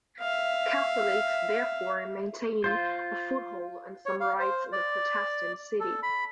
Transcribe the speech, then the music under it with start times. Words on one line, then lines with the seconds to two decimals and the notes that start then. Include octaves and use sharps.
Catholics therefore maintained a foothold and some rights in the Protestant city.
0.20 E5 F5
2.64 F4 C5
4.06 C#5
4.20 F5
4.40 C5
4.72 D5
5.80 A4
6.03 B5